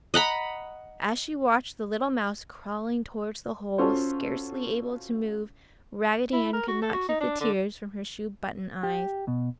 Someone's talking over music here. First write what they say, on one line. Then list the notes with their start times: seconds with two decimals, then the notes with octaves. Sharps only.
As she watched the little mouse crawling towards the hole scarcely able to move, Raggedy Ann could not keep the tears from her shoe-button eyes.
0.14 D#5 F#5 A#5 B5
3.78 C#4 F4 F#4 A4 C5
6.33 E4
6.53 A#4
6.68 F#4
6.82 A4
6.93 F#4
7.09 D#4
7.20 D4
7.40 D3
8.83 G4
9.28 B2